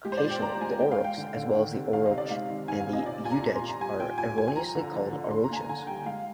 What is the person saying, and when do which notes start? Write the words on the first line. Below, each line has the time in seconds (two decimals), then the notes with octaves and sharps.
Occasionally, the Oroks, as well as the Orochs and Udege, are erroneously called Orochons.
0.05 G#3 G4
0.12 C5
0.17 D5
0.24 A#2
0.30 G5
0.42 G#3 A#5
0.61 G#3 G#5
0.80 G#3 G5
0.92 F5
0.98 G#3
1.04 G5
1.18 D3
1.37 D3
1.55 D#3
1.75 C3
1.93 D#3 F5
2.06 D#5
2.11 C3
2.18 D5
2.30 G#3 F5
2.49 D#3
2.68 D#3 G#5
2.80 F5
2.86 C3
2.93 D#5
3.05 A#2 D5
3.25 A#2 G#5
3.31 A#5
3.43 A#2 A#5
3.55 C6
3.61 A#2
3.69 A#5
3.80 G3 G#5
4.00 A#2 G5
4.18 A#2 G#5
4.37 A#2 G#5
4.48 G#5
4.56 F3 A#5
4.75 D3
4.94 F3
5.13 D3
5.31 D3 C6
5.44 A#5
5.50 A#3 G#5
5.56 A#5
5.69 D3 G#5
5.87 G3 G5
6.06 G#3 F5